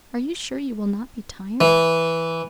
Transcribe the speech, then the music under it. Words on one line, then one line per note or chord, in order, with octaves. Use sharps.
Are you sure you will not be tired?'
E3